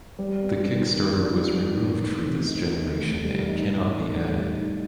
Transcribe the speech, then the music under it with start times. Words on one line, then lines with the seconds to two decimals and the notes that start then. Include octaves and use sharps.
The kickstarter was removed for this generation and cannot be added.
0.19 G3
0.43 B3
0.70 D#3
0.95 D#3
1.20 G3
1.46 B3
1.71 D#3
1.97 A3
2.22 C3
2.48 D#4
2.73 D#3
2.98 A3
3.24 G3
3.49 D#4
3.74 A2
4.01 A4
4.26 G3
4.52 D#4